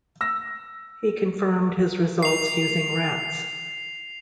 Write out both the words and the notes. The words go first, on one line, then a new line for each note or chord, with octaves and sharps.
He confirmed his results using rats.
E6 A#6
C7 F7